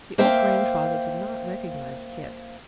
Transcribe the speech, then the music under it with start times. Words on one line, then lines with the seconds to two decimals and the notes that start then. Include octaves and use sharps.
The old grandfather did not recognize Kit.
0.18 A#3 C5 E5 F5 G5